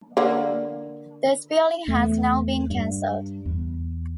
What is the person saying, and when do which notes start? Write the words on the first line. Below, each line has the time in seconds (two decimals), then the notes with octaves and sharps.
This building has now been cancelled.
0.17 D3 A#3 F#5
1.88 E2 A3
2.70 G2
3.46 E2